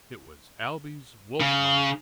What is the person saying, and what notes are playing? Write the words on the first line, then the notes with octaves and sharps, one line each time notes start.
It was Ailbe's wolf-mother.
C#3